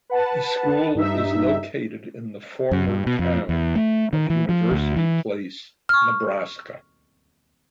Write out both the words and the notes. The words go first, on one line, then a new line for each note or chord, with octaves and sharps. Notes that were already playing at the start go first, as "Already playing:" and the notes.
The school is located in the former town of University Place, Nebraska.
B4 F#5 A5
G2 D#4 E5
F#2
G2
B2
F2
E2
A3
D#3
E3
F3
D2
E3
C#6 F6